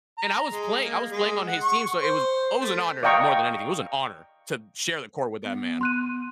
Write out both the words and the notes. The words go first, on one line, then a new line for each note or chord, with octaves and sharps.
And I was playing I was playing on his team, so it was oh, it was an honor, more than anything it was an honor to share the court with that man.
A#5
G#3
A#3
G#3
F#5
C#6
C5
A3
D5 D#5 F5 G5 A#5 C#6
B3
C6 F#6 D#7